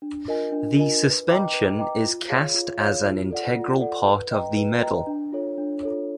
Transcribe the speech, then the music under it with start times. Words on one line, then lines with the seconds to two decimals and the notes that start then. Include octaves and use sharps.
The suspension is cast as an integral part of the medal.
0.02 D4
0.28 F4 A#4 D#5 G#5
0.52 D4
0.78 F4 A#4 D#5 G#5
1.03 B4
1.29 D#5 G5 A#5 D6
1.54 B4
1.79 D#5 G5 A#5 D6
2.04 F4
2.29 G#4 C#5 F5
2.54 F4
2.80 G#4 C#5 F5
3.05 F4
3.30 A4 D5 F#5
3.55 F4
3.81 A4 D5 F#5
4.06 B4
4.31 D#5 G5 A#5
4.57 B4
4.82 D#5 G5 A#5
5.07 D4
5.32 F4 A4 C#5
5.58 D4
5.83 F4 A4 C#5